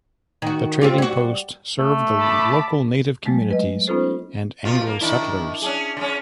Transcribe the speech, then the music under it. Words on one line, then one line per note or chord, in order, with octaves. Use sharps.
The trading post served the local Native communities and Anglo settlers.
D#3 F#4
C4 F4 G4
G3 F#4
A3
A5 B5 D6
F#3 G#3 A3
B4 D#5
B3 C#4 D#4 F4 A4 C5
B2 F4
A#3
D#3 D4 E4
C#4 D4 G#4
C#3 C#4